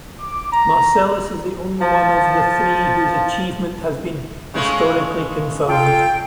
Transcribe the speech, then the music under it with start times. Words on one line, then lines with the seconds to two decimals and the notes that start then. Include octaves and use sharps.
Marcellus is the only one of the three whose achievement has been historically confirmed.
0.20 D6
0.51 A#5
1.80 F3 A5
4.54 C#3 G#3 A3
5.68 F4 A4 G5